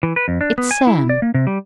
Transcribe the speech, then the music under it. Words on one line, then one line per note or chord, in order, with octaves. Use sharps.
It's Sam.
E3
B4
F2
D4
B3
G#5
E4
D5
A#3
C3
G3